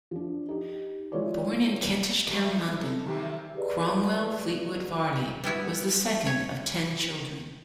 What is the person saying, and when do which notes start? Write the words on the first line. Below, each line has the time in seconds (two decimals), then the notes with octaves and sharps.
Born in Kentish Town, London, Cromwell Fleetwood Varley was the second of ten children.
0.11 F3 D4
0.49 D#4 G4
1.12 F3 G#3 E4 F4 C#5 D5
2.31 C3 E3 F#3 G3 F#4
2.54 G#3 B3 D#4
2.80 D#4 A4
3.06 E2 C3 D#3 E3 G4
3.55 G4 G#4 B4 D5 D#5
5.44 G3 B3 E4 F#4
6.26 C#5